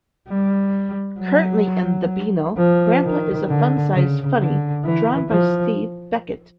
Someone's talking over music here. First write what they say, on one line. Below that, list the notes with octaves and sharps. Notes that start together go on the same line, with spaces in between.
Currently in "The Beano", Grandpa is a "Funsize Funnie" drawn by Steve Beckett.
G3
F#3
F3
D#3
D3
C#3
D3
E3
F3